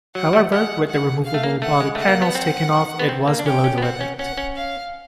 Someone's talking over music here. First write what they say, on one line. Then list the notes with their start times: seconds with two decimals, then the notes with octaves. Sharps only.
However, with the removable body panels taken-off it was below the limit.
0.15 F#3 F#5
0.33 G3
0.52 G#3 F#5
0.89 F#5
1.25 F5
1.34 A3
1.43 A#3
1.62 A3 F#5
1.80 G#3
1.95 A3 F#5
2.08 A#3
2.22 B3
2.35 C4
2.99 B3
3.09 C4
3.28 A#3
3.39 D4
3.46 C#4 G5
3.64 C#4
3.78 B3
3.82 C4 F#5
4.01 C#4
4.19 C#4 F#5
4.38 C#4
4.56 F5